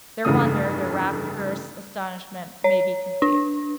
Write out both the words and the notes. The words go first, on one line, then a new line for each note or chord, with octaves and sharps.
Their wonder--their rapturous astonishment--may be conceived.
F1 G2 C#3 E3 A3 D#6
C#5
D4